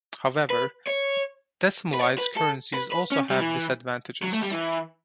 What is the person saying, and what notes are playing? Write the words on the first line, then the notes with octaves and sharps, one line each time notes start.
However, decimalised currencies also have disadvantages.
B4
C#5
B4
C#5
B4
A4
B4
B4
C#4
G3
E3
F#3
A3
G3
E3